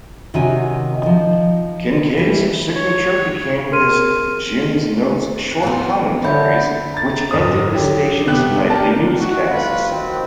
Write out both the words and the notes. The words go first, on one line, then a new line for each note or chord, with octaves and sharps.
Kincaid's signature became his "Jim's notes," short commentaries which ended the station's nightly newscasts.
C3 D#3 C#4 D#4 F#4 G#5
F3 D#4
E3 G3
C#5
G#4 A#4 C6 F6 D#7
F3 B3 C4
D3 C#5 E5 B5 G6
A#5 A6
F#1 G#2 D3 A4 D#6
D3 F#3 G4
F#2 C3 B3 G4 F#6
G4 A#4 D5 A5
D#4 E4 F#4
G1 A2 F4 B4
D#3 F#3 C4